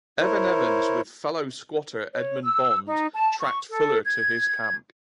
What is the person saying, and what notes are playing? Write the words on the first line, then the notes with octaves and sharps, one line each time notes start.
Evan Evans, with fellow squatter Edmond Bond, tracked Fuller to his camp.
E4 A#4 C5 C#5
C#5
E6
D#4
A5
C#6
A4
G#6